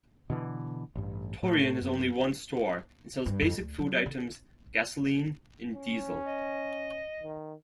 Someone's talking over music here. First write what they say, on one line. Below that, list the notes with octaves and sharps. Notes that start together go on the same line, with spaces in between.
Torreon has only one store, and sells basic food items, gasoline, and diesel.
B2 D3 E3
A1 G2
A2 A3
F#2 B3
G2
F2
D2
F#3
D3
C#4
D#5
D#3